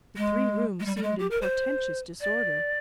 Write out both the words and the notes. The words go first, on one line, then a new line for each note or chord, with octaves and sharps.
The three rooms seemed in portentous disorder.
G#3
G#3
G3
G3
G#3
G4
A#4
C5
D5